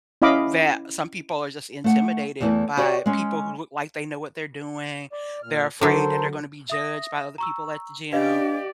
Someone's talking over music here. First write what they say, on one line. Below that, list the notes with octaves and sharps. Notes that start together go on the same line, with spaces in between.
that some people are just intimidated by people who look like they know what they're doing, they're afraid that they're gonna be judged by other people at the gym
C#4 E4 D#5 F5 B5 D6
A3 F#5
E2 E3 A3 E4
F#4 G4 C#5 D5 G5
G#3 C#4
D5
A#2 F6
D3 F#3 A4 A#4 C5
E5 D#6 A#6
A#5 C#6 E6
D4 G4 B4 D5 D#5 F5